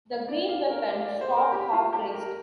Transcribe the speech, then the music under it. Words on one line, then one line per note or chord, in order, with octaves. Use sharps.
The green weapon stopped half raised.
F5
D5
F5
A#4
G4
F5
D5
C5
A#4
G4
F4
G4
A#4